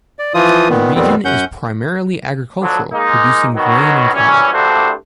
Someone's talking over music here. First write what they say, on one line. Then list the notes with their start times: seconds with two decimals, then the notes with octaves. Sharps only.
The region is primarily agricultural, producing grain and cattle.
0.19 D5
0.34 E3 F3 F4 D#6
0.69 A#2 D#3 B3
0.95 F2 A#2 D#3 G3 B3 C4
1.25 F#2 C#4 F#5 G6
2.61 D2 D3 F3 F#3 D4
2.92 G#3 A#3 D#4
3.55 B2 D#3 F#3
4.13 F#2 E3 G3 C#4
4.52 C2 G2 A3 D4 F#4 C5